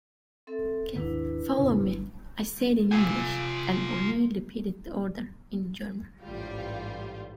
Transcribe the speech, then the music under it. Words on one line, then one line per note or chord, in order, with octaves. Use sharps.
'Follow me,' I said in English, and O'Neil repeated the order in German.
C4 A4 E5
D#2 G#2 D#3 D4 E4 B4
F2 A2 C#3
G1
F4 G#5
A1 G#2 G3 F4